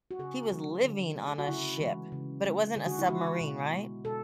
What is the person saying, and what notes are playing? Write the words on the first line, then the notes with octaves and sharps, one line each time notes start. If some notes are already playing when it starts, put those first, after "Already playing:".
he was living on a ship, but it wasn't a submarine, right?
F#4
C#3 G#4
F#3 A3
D3
A3
G#4
F#4
C#3 E4
E3 G#3
C#3
G#3
D3 G#4
F#4
E4
G#3 F#4
B2
G#3
B2 A4